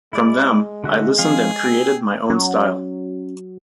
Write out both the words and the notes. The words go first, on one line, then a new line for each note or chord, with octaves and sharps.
From them, I listened and created my own style.
G#3 E4 D5
D3 F#4 E5
F3 C4 G#4 F5
G5 E6
F#3 C#4